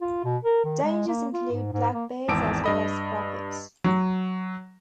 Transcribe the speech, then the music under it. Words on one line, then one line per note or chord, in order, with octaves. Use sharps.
Dangers include black bears as well as rapids.
F4
B2
A#4
D#3
G#3
A#3
F4
G#2
G#2
A#3
G#1 E2 A5 D6 E6 D7
G2 D#5 B5
F#3